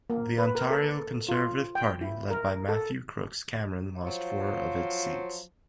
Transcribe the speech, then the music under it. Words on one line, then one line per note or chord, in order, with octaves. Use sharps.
The Ontario Conservative Party, led by Matthew Crooks Cameron lost four of its seats.
A#3
B4
A#4
A4
F4
G5
E4
A#4
A4
F3 F#3 F4 C5